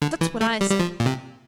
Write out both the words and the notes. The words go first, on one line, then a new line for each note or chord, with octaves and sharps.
That's what I said.
D3
E3
A3
G3
G3
F3
A#2
C3